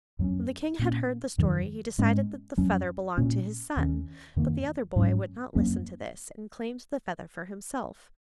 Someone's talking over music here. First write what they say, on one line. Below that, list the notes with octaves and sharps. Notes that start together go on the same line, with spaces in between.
When the king had heard the story, he decided that the feather belonged to his son; but the other boy would not listen to this and claimed the feather for himself.
F#2 F#3 A#3 C#4
A#2 A#3 C#4
F#2 D#3 F#3
G#2 G#3 C#4
F#2 F#3 C#4
A#2 A#3 C#4
D#2 D#3 A#3 C#4
F#2 D#3 A#3
G#2 F#3 C#4
F#2 F#3 A#3 C#4